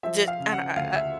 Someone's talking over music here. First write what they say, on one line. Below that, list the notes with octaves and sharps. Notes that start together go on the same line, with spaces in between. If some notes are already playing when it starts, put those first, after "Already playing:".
Just and I
F3 E5
F5
C#3
F#5
D2 F5
E5